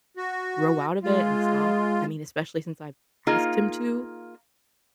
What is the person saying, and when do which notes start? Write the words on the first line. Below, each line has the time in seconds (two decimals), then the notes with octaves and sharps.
grow out of it and stop. I mean especially since I've asked him to,
0.17 F#4
1.03 G#3 F4
3.27 A#3 D#4 F4 G#4